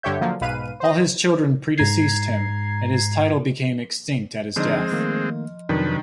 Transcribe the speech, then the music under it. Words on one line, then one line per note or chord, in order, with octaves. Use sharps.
All his children predeceased him, and his title became extinct at his death.
G2 D3 G4 C#5 E5 G6
D3 F3 F#3 A#3
B1 G#2 B4 F5 D#7
C5 D#5
G#2 A#5 G#6 C7
D3 F3 G#3 C4 D4 D#4 D#5
D#3 A3 A#3
F2 C3 D#3 F#3 D4 B4